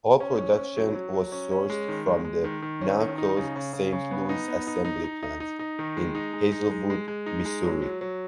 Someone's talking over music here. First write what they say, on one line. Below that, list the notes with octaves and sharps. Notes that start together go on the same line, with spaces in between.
All production was sourced from the now-closed Saint Louis Assembly Plant in Hazelwood, Missouri.
C#4
C#4
C#4
F#3
F#3
F#3
C#4
C#4
G#3
D#3
G#3
G#3
D#3
D#3
C#4
D#3
D#4
C#3
C#3
C#3
C#3
B3
D#4
B3
D#4
D#4
D#4
D#4
D#4
D#4
D#3
G#3
D#4
G#3
D#4
G#3
G#3
G#3
D#4
G#3
F#3
F#3
F#3